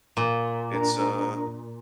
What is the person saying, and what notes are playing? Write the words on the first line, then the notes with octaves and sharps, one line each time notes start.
it's a
A#2
D4 A#4 A#5